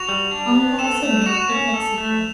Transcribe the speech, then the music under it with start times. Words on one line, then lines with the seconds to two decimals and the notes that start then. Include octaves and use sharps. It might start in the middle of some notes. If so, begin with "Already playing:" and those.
Ambassador to Mexico.
Already playing: F#4 F7
0.09 G3
0.31 D4
0.55 B3
0.79 A4 E7
1.02 A3 F7
1.22 E7
1.26 F#4 F7
1.50 C#4
1.74 A4
1.98 A3